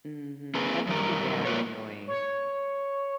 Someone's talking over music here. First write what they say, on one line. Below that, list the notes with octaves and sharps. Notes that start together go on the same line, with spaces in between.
Mhm, that must be very annoying.
A#3 C4 G#4 B4
F#2 D#3 G3 A#4
A#3 F4 B4 C#5
C#5